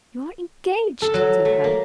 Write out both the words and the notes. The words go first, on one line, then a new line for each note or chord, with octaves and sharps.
"You are engaged to her!"
A4
F#3
A3
A#3